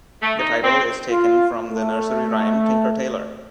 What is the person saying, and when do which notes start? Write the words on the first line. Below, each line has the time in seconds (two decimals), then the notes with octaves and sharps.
The title is taken from the nursery rhyme "Tinker, Tailor".
0.23 A3
0.38 D#4
0.63 C4
1.11 F4
1.71 A3